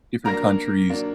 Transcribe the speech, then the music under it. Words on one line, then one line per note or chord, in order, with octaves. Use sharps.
different countries,
F#3 A#3 D4 A#4 A#5
F#3 A#3 D4